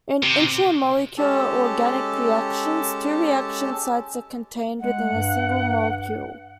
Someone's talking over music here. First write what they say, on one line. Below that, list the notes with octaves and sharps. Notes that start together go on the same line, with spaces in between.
In intramolecular organic reactions, two reaction sites are contained within a single molecule.
C3
G#3 C#4 G4 A4 A5
G#3 F#5
G2